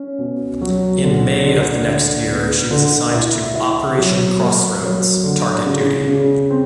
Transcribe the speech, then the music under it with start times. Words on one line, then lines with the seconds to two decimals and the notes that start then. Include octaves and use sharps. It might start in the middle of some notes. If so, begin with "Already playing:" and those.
In May of the next year, she was assigned to Operation Crossroads target duty.
Already playing: C#4
0.18 B2
0.61 F#3
1.04 D3
1.46 D3
1.87 D3
2.30 B3
2.71 D3
3.13 E4
3.55 E4
3.98 F#3
4.40 A#3
4.81 F#3
5.24 D3
5.66 C#3
6.08 C#3
6.50 C4